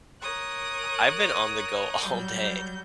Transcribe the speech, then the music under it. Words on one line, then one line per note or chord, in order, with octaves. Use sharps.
I've been on the go all day,
A#4 C#5 D#6 F#6
F#3 G3 G6